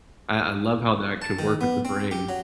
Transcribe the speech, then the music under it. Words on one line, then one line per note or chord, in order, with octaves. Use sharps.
I I love how that can work with the brain.
A5
D#3
B3
C4
G4
F#3